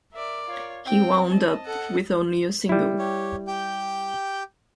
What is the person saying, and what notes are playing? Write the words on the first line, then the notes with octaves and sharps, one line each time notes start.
He wound up with only a single.
A#4 D5 E5
F4 C#5
C4 G5
D#5 A5
A4 F#5
G3 E4
G4 C#5
G4 G5 G6